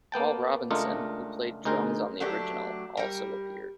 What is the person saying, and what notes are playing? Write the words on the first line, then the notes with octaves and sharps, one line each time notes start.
Paul Robinson, who played drums on the original, also appeared.
A#3 B3 G5 A5
C#2 A3 D4 F4 A#4 D#5
D2 D#4 G#4 A#4 C5 G5
F#3 A3 D4 G4
G3 A#4